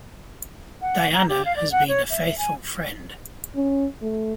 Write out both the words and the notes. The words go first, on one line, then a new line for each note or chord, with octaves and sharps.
Diana has been a faithful friend.
F#5
A#5
G4
F5
D5
F#5
C#5
E5
G#5
C#4
A3